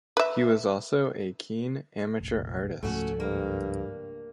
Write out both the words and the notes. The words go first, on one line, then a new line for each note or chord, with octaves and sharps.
He was also a keen amateur artist.
B4 E5
F1 A#1
C#2 G#2 F3 A3 C#4 F#4
G2 A#3